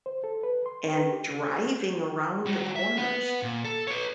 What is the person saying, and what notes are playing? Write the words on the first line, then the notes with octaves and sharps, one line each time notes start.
and driving around the corners
C5
A4
B4
C6
B4
G4
C#3
G3 F#4
E5
B4 F#5
A#2
A4
B4 C#5